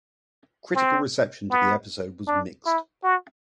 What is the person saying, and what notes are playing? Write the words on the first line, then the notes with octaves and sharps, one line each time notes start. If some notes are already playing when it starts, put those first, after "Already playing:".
Critical reception to the episode was mixed.
C4
B3
D4
E4
F#4